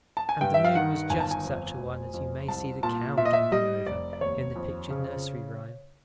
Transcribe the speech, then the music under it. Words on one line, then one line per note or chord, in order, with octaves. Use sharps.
And the moon was just such a one as you may see the cow jumping over in the pictured nursery rhyme.
A5
G#5
G2 G5
E5
F5
D#3 F#5
G1 G#5
A5
G#5
F2
F1
F2
C2 A5
A#2 A5
A#2 E5
D#5
E5
G3 D#5
F1 D5
D5
D#2 C#5
F2
C#3